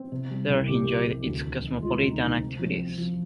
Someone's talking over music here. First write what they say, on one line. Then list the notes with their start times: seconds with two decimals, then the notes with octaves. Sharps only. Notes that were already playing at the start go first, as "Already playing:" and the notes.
There he enjoyed its cosmopolitan activities.
Already playing: C4
0.12 C3
0.31 G3
0.50 C2
0.69 C2 G4
0.87 G3
1.07 C2
1.25 D2
1.45 D#3
1.64 D#3
1.82 G#3 F4
2.02 D2
2.11 D#4
2.22 C3
2.40 C4
2.59 F3
2.78 C4
2.98 F3